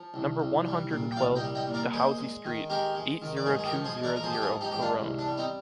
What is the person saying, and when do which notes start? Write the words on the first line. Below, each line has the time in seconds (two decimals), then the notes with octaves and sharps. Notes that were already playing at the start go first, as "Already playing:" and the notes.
Number one-hundred-and-twelve, Dehaussy Street, eight-zero-two-zero-zero, Péronne.
Already playing: F3
0.14 C2
0.40 C2
0.66 G3
0.90 A#2
1.12 G5
1.17 C2 D5 F5
1.36 D#5 G5
1.42 G3
1.55 D#5 G5
1.67 A#2
1.74 A#4 D5
1.93 G#3 G#4 C5
2.18 G#3
2.45 D#3
2.70 G#3 G4 A#4
2.95 G#3
3.22 D#3
3.37 D5
3.46 G#2 G#4 C5
3.59 G#4
3.65 G4 A#4
3.72 F3
3.84 G#4 C5
3.97 G#3
4.03 A#4 D5
4.16 A#4
4.23 F3 G#4 C5
4.33 G4
4.42 F4 G#4
4.48 G#2
4.61 D#4 G4
4.71 G#2 G4
4.81 D4 F4
4.99 C2
5.19 D4
5.26 G3
5.38 C4 D#4